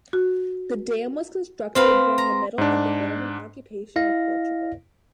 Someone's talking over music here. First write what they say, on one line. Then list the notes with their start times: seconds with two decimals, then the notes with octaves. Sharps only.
The dam was constructed during the middle of the Roman occupation of Portugal.
0.13 F#4
1.75 C4 B4 C5 F5 B5
2.18 A#5
2.58 G#2 D4
3.96 E4 D#5 F5 A#6